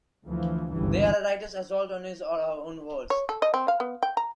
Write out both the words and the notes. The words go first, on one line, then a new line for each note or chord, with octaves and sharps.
They are a writer's assault on his or her own words.
D2 E3 F3
G1 C#2 G2 E3
C#5
A4
D#5
C4
F5
B3
G5
A#5